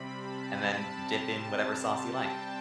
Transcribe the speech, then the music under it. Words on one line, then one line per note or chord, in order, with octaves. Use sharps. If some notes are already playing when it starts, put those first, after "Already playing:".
And then dip in whatever sauce you like.
Already playing: C3 G3 C4 B5
A5
B5
C3 G3 C4 A5
G5